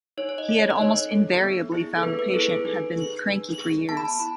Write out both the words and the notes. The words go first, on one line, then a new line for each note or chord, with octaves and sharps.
He had almost invariably found the patient had been cranky for years.
D#4 C#5
C#5
D#5
A4
C#5
D#5
D#4 C#5
A4
B3
E4 G#4
A4
B3 B4
B4
E4 G#4 A4
B4
A4
D#4 B4
G#4
D#4
G#4
B3 A5
B5
A5
E4 B5